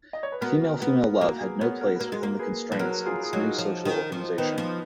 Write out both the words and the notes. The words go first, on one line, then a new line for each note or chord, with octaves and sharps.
Female-female love had no place within the constraints of this new social organization.
D#5
C#5
B4
B3 F#4 A#4
B3
A#3 F#4 A#4
G#4 B4
B3 A#4 C#5
F#4 A#4
B4
A#3 F#4 A#4
G#3
A#3
G#4 B4
F3 B4
F#3 F#4 A#4
F4 G#4
G#4
F#3 D#4 F#4
F3
D#3
F3
D#3 B3 D#4
F3